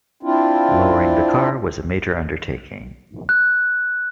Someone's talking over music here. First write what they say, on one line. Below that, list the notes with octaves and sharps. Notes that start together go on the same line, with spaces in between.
Lowering the car was a major undertaking.
C4 D4 E4 F4
F#6